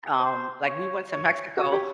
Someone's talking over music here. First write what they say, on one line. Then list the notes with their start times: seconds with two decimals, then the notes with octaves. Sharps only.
um, like, we went to Mexico.
0.19 C5
0.64 C#5
1.10 C#5
1.57 F#4 C#5
1.72 G4